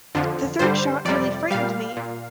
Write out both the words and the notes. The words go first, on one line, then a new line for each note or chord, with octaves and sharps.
The third shot really frightened me!
F2 D3 F3
G2 D3 G3 C5
F2 C3 G3 D5
A#2 G3 F5
A#2